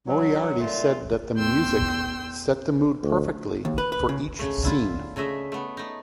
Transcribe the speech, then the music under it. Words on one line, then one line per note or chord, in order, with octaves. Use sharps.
Moriarty said that the music "set the mood perfectly" for each scene.
F#3
A#2 D3 A3 F4
E2 G5 C6 E6
D2
D#2
B4
B4
C#3
C#3 A3
D3 E4 F4
C#3 A3 D#5 E5
A3 B3
A3 D#4